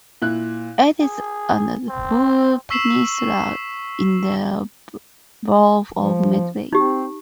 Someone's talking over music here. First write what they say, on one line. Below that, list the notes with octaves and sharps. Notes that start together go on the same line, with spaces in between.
It is on the Hoo Peninsula in the borough of Medway.
A#2 E4 F#6
G#4
C4
C#6 E6 B6 C7 E7 F#7
F3
C4 D#4 G4